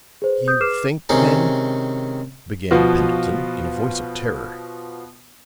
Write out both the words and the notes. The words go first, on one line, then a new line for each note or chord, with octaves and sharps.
"You think then--" began Pendleton in a voice of terror.
G#4 B4 C5
C5 D#6 G6
G#4 B4 D6 F6 C7 E7
C3 D#3 G#3 C#4 D#4 C5
B2 F3 B3 F4 F#4